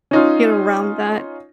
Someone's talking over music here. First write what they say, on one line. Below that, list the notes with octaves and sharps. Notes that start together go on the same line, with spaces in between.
get around that.
C#4 D#4 F4